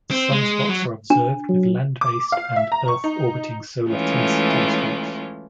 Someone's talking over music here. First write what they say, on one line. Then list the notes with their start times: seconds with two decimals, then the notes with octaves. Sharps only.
Sunspots are observed with land-based and Earth-orbiting solar telescopes.
0.11 C4
0.31 G#3
0.69 F#3
1.10 D4
1.49 F#3
2.01 D6
2.32 F5
2.56 E5
2.72 A#5
2.88 C#6
3.04 D#4
3.89 E3 G#3 A3 C#4 F4